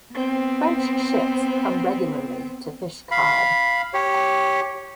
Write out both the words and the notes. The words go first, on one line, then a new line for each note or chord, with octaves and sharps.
French ships came regularly to fish cod.
B3 C4
F5 B5
G4 C#5